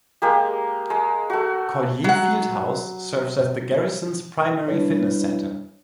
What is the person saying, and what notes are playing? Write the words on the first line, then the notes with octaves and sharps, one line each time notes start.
Collier Field House serves as the garrison's primary fitness center.
G#3 A#3 G4
G#3
A3 F#4
F#3 F#5
G3 D4 E4 B4 C#5